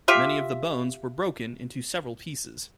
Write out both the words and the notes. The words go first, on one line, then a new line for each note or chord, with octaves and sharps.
Many of the bones were broken into several pieces.
F4 G4 E5